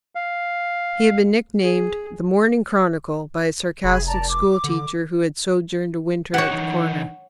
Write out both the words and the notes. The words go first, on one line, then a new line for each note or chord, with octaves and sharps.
He had been nicknamed "The Morning Chronicle" by a sarcastic schoolteacher who had sojourned a winter at the Corner.
F5
G#4
F1 G#4 B5 G#6
D5 A5 A#5
D6
D3
F#4 G4 C#5 F#5
E3 D#4